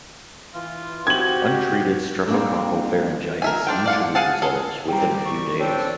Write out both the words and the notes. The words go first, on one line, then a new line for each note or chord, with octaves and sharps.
Untreated streptococcal pharyngitis usually resolves within a few days.
E3 F4
C4 F#4 G4 G#6 F#7
G3 A#3 C4 D4 A4
A#4 E5 G#5
D4 F4 G5
D5 F5 F#5
G#4 F5 F#5 G#5 A5
G#4 A4
G3 C4 G4 D5 G5 A#5
E3 C#6
C4 D4 A4 C#5 G5